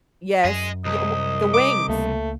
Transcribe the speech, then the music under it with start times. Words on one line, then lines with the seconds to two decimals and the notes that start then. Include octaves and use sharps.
Yes. Ye w the wings.
0.45 F#2 D#5 G#5
0.85 C2 D#5
1.54 D6
1.88 C#2 A3 A#3